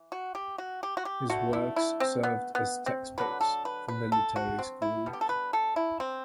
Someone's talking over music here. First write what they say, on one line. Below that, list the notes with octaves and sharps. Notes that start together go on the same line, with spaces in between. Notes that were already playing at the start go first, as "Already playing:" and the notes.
His works served as textbooks for military schools.
Already playing: E3
F#4
G4
F#4
G4
F#4
G4
D3 A3 F#4
E4
E4
C4
B3
B3
C4
D3 F#3 B3 B4
A4
B4
B4
A4
F#4
C4
E4
D3 G3 B3
G4
A4
B4
A4
E4
C4